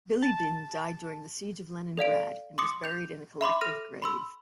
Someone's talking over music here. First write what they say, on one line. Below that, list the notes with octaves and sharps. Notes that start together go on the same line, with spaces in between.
Bilibin died during the Siege of Leningrad and was buried in a collective grave.
A5
A4 D5 F5 D7
C6 D6 D#6 C#7
G6 F7
E5 B5 C6 D6
A4 F6 A#6 D#7
B5 C6 E6